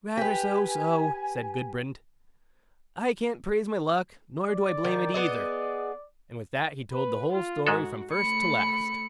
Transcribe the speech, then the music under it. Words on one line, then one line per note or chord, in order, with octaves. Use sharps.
'Rather so so', said Gudbrand, 'I can't praise my luck, nor do I blame it either', and with that he told the whole story from first to last.
G4 B4 G#5
D5
D#3
B3 G#4 D#5
B4
F4
G#2 G#3 F#4 A4
A3 B5 C#7